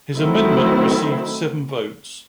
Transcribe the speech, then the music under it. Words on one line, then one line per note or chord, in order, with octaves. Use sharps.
His amendment received seven votes.
D#3 F#3 A3 C4 E4